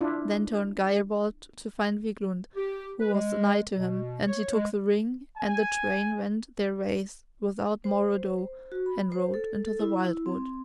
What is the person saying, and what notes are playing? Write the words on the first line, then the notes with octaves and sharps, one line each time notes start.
Then turned Geirbald to find Viglund who was anigh to him, and he took the ring, and the twain went their ways without more ado, and rode into the wild-wood.
D4 E4 F4
G4
B4
G#3
B2
C#5
G#3
G#5
C5
C5
F#4
B5
C5
A4
A4
E4
C4